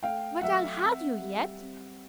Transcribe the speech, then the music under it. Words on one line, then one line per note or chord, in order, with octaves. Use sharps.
'But I'll have you yet.
A3 F5 G5
F#3 E5 F#5
C4
G3
C4